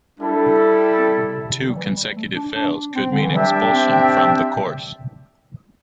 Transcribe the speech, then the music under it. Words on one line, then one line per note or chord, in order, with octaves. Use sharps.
Two consecutive fails could mean expulsion from the course.
G3 D4 E4 A4
C4
C3
C3
D3
G3
E3
G3
A3
D4
D4
C4
D3
E3
G3 D4 G4 E5 G5
C4